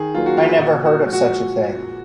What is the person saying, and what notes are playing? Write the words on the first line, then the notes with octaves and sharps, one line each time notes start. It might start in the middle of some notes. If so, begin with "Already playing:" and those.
I never heard of such a thing.
Already playing: D#3 G#4
F#3 A#3 F4
F#4
F4
A#2 F#4
F#4
F3 G#3
F#4